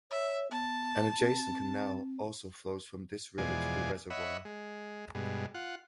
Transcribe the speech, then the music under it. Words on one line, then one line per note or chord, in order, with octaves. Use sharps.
An adjacent canal also flows from this river to the reservoir.
C#5 E5
B3 A5
C4
E2 B2 F3 G#3 D5 G#5
C#5 D#5 E5 F#5 B5
G#3
G2 B2 G#3
F4 F#5